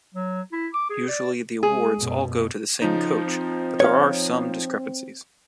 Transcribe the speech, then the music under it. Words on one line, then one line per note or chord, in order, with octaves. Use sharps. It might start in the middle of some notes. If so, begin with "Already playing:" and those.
Usually the awards all go to the same coach but there are some discrepancies.
F#3
E4
D6
G#4
D5
G#3 G#4
F#2 B2
C#3 F3 D#4
C4
C#5 F5